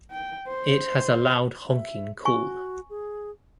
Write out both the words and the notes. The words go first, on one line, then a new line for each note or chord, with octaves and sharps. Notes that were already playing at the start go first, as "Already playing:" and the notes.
It has a loud honking call.
G5
C5
E5
F#4 G#5 C#6
G#4